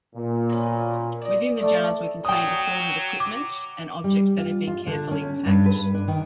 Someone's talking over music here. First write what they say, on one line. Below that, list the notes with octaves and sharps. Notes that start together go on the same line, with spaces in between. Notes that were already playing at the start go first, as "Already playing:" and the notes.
Within the jars were contained assorted equipment and objects that had been carefully packed.
A#2
B2 C#4
D5 D#5
D#3 A3 A4 D5
F#3 G5 D#6
D6
G3
F4
F4
D3
C#4
G2
B4
D4
D#3